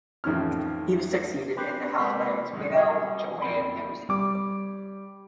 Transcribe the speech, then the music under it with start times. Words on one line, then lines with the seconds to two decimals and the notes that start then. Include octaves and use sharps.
He was succeeded in the House by his widow, Jo Ann Emerson.
0.24 A1 F2 D#3 C#4 F6
1.56 C4 D4 G4 B4
1.99 C3 G#3 A#3 C4 B4
2.53 F#2 A2 C3 D#3 G#3
2.76 G3 F#4 G#4
3.41 F2 C4 B5
4.09 G3 D6